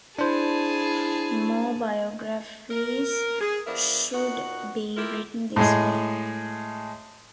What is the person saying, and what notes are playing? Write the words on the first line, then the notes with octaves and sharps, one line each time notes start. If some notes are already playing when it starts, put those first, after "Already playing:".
More biographies should be written this way.
D4 E4 G#4 C5 A5
A#4
G#4
F3 B3 D4 A#4 E5
A#2 D#4 F#4 F#5
E4 F4 G4 A4 A#4
A2 G#3 G#4